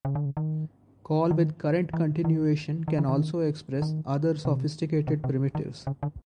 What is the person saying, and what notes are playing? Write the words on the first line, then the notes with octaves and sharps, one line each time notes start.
Call-with-current-continuation can also express other sophisticated primitives.
C#3
D3
C#3
D#3
D#3
E3
D#3
D#3
E3
D#3
D#3
C3
C3
C3
D#3
C#3
D3